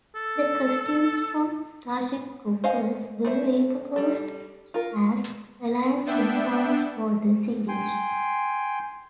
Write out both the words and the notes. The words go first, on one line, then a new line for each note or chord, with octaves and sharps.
The costumes from "Starship Troopers" were repurposed as Alliance uniforms for the series.
A4
C5 D#5 F5 F#5 G#5
A3 C5 E5
G3 A4
F4 A#4
B3 D4 E5 G5
G5 G#5 C6